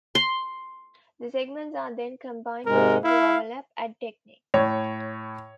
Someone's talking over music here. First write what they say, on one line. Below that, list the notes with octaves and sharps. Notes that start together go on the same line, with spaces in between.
The segments are then combined using the overlap add technique.
C6
G#2 C3 G#3 A#4
E4 F5
A2 C#5